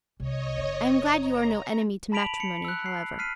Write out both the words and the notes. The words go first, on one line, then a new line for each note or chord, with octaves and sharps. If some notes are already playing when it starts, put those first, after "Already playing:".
I am glad you are no enemy to matrimony, however.
C2 C#5 D#5
F#1
A#5
A5 B5 B6 D7 F7 F#7
C#7
E6 F#6
C7
F6 B6 C7 D#7